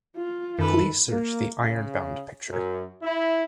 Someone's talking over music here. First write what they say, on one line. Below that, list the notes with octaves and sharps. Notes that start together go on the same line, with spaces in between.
Please search the Ironbound picture.
F4
F#2 D#3 A4 B4
A#3
C#3
F#2
E4